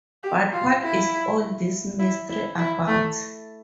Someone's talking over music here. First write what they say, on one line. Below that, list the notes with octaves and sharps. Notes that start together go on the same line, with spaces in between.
But what is all this mystery about?
G4
F4
E4
E4
E4
E4
A3